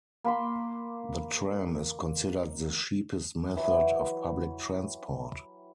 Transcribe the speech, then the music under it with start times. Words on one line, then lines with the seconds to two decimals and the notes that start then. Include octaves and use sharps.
The tram is considered the cheapest method of public transport.
0.24 A#3 B5 C6
3.56 E3 F#3 E4 G4